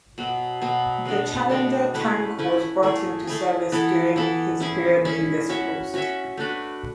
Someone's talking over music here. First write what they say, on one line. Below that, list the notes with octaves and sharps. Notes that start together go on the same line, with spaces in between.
The Challenger tank was brought into service during his period in this post.
B2 F#3 B3
B2 F#3 B3
G#3 B3 D4 A4
G#3 B3 D4 A4
A3 C#4 E4 B4
A3 C#4 E4 B4
A3 E4 G#4
A3 E4 G#4
E3 B3 E4 A4
E3 B3 E4 A4
C#4 E4 G#4
C#4 E4 G#4
C#4 F#4 C#5 E5
C#4 F#4 C#5 E5
A3 D4 F#4 B4